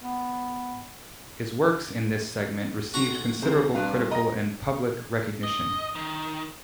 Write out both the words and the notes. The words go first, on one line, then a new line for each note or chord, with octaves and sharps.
His works in this segment received considerable Critical and public recognition.
B3
B1 F#4 A#5
C2 C#3 C5
G2 D4 B4 F5
B1
D#5 A#5 A#6
D#5
D#3